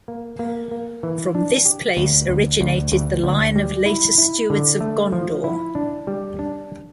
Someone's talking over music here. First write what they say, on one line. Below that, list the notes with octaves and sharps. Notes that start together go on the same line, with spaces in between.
From this place originated the line of later Stewards of Gondor.
A#3
A#3
A#3
E3
D4
G4
D2
D2
D2
D2
D2
G3
E4
E4
D3
A3
F3
E4
D4
G3
D4